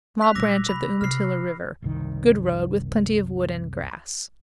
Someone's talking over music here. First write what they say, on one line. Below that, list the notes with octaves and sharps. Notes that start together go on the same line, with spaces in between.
Small branch of the Umatilah River.--Good road, with plenty of wood and grass.
F#6 B6 F7
A#2 G3 D6 E6 A#6
C2 B5
C3 F6 C7
F#1 C2 D#3